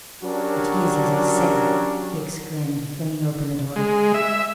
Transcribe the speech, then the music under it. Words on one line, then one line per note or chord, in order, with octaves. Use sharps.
'It is as I said,' he exclaimed, flinging open the door.
F#3 C#4 D4 F#4 G4 A#4
G#3
E5